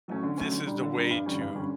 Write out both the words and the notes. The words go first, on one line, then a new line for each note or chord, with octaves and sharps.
Eh, this is the way to
F#3 A3 C#4
D3
F#3 A3 C#4
D3
G3 D4
D3
G3 D4
G2
D3 G3 C#4
G2
D3 G3 C#4